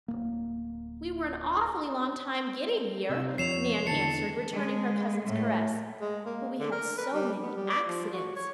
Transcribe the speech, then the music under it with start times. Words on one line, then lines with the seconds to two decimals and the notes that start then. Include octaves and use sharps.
"We were an awfully long time getting here," Nan answered, returning her cousin's caress, "but we had so many accidents."
0.08 D1 G#1 A#3
3.09 G2 C3 F#4 E6
3.26 G3 D#4 C5
3.38 F2 C#5 C7 E7 F7
3.87 E2 D3 A5 C#7
4.52 G#3
5.25 A2
6.01 G#3
6.25 A#3
6.60 D3
6.72 A#4
6.98 B4
7.13 G3
7.41 B3
7.56 G3
7.70 D5
7.87 F3
8.12 F#4
8.36 C#5